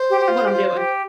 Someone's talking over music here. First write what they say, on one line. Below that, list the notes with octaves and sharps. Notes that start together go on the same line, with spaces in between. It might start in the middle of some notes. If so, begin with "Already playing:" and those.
what I'm doing.
Already playing: C5
G4
G4
F4
G4
F4
G4